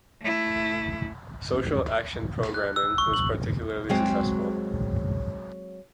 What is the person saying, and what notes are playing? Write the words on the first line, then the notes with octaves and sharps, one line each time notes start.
Social action programming was particularly successful.
A3 E4
F#6
E6
C#6
F#7
F#3 G#3 C4